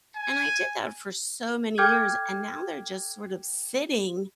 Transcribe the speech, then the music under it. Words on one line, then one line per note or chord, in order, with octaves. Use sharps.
and I did that for so many years, and now they're just sort of sitting,
G#5
A4 G5 D6 F6 G6 G#6